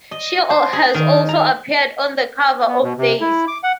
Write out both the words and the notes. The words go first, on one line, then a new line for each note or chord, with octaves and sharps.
She has also appeared on the cover of "Dazed".
D#5
C5
G#4
D#3
A#5
B3
B2
C3
E4
D6
F#5